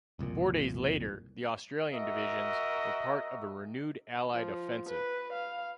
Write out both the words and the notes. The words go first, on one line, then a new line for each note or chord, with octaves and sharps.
Four days later the Australian divisions were part of a renewed Allied offensive.
F#1 C2 F2 A#2
F#4 A#4 D#5 E5
F3
B4
F5